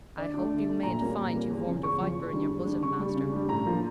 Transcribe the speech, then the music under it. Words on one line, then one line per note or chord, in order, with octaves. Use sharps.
"I hope you mayn't find you've warmed a viper in your bosom, master."
D3 D5
A3 D4
D3
A3 D4
A#2 A#5
G3 A#3 C#4
A#2
G3 A#3 C#4
E2
C#3 F3 C#4
E2 C#6
C#3 F3 C#4
E2
D3 G3 D4
E2
D3 G3 D4
C#3 C#6
G3 D4
C#3
G3 D4
A2 A#5
F3 A#3 D4